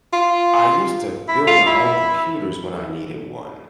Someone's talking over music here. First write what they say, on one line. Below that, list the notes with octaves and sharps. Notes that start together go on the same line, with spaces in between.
I used to build my own computers when I needed one.
F4
E4
F4
E4